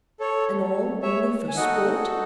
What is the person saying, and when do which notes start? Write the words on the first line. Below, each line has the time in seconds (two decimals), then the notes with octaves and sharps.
And all only for sport?
0.20 A4 C#5
1.02 C#5 E5
1.48 G#5
1.56 D#4 F#4 A4 D#5 F#5